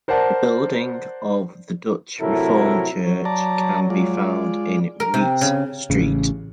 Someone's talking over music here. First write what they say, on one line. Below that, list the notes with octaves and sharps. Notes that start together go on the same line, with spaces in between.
The building of the Dutch Reformed Church can be found in Reitz Street.
A#4 C5 D5 F#5 A5
A2 C3 F#3 E4 A4 A#4
F#3
D5 A5 A#5
G#3 F4 D5
A#4
C3
C#3
A1 C#3